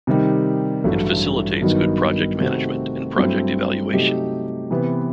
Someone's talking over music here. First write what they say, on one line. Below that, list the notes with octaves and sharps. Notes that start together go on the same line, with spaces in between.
It facilitates good project management and project evaluation.
C3 D#3 G3 D#4
A1 G2 F#3 A3
G2 D#3 F#3 B3 D#4
C3 D#3 A3 C4 F#4
G2 F#3 A3 C4 E4
C3 F#3 A3 D#4 G4
C3 E3 B3